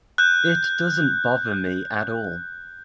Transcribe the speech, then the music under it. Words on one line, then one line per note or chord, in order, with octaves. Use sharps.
It doesn’t bother me at all.
F#6 G6